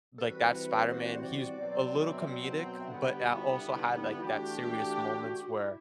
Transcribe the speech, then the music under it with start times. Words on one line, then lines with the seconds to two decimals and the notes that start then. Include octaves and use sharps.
like, that Spider-Man, he was a little comedic, but, uh, also had, like, that serious moments where,
0.18 A4
0.24 E3 G3 C4 F#4 B4
0.90 C5
0.98 D5
1.06 C5
1.23 D5
1.56 B2 F#3 C4
2.12 E5
2.22 D5
2.44 F#5
2.65 G5
2.81 E5
2.87 D3 G3 B3 F#5
3.04 G4
3.21 F#4
3.37 E4
3.54 E4
3.65 E4
3.75 D4
3.97 E4
4.14 E4
4.19 E3 A3 D4 F#4 G4
5.51 E4